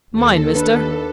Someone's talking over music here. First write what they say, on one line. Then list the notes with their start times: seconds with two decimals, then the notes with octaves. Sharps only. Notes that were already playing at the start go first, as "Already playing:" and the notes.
"Mine, mister."
0.11 D#2 A4
0.55 D4 B4